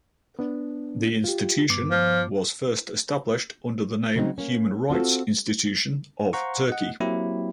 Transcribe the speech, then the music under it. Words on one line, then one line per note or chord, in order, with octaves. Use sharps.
The institution was first established under the name "Human Rights Institution of Turkey".
B3 D4
F4 G4
G2 B3 D6
F3
C#3 F#3 G#3 A#3 C4 D#4
A#3 C#4
C4 F4 F#4 A4
C5 F5 F#5 A#5 C6 C#6
D#5 F#5
F#3 A#3 C4 E4 G4